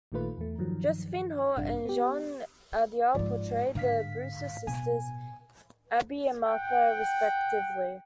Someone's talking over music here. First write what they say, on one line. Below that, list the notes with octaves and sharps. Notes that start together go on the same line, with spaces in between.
Josephine Hull and Jean Adair portray the Brewster sisters, Abby and Martha, respectively.
A1 A#2 D#3 A3 F4 B4
E2 A3
G2 D#3 F3 F#3
A1 G2 C3 D4
B3 G4
G#2 F3 G#3 F4 D5
G#2 D3 F5 B6
B2 G#5
F#5 G5